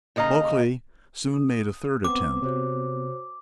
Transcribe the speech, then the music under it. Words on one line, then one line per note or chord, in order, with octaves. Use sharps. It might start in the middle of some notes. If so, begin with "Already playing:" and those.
Bulkeley soon made a third attempt.
D#2 C#3 D#5 F5 A#5
D#6
B3 C4 D6
C3 F#4 C5 C#5